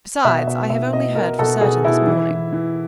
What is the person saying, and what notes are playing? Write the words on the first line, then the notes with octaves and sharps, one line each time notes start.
"Besides, I have only heard for certain this morning."
B2 E5
B2
B2 E5
B2 D#5
B2 A#4
B2 A4
B2 G#4
B2 E4
E3
E3
E3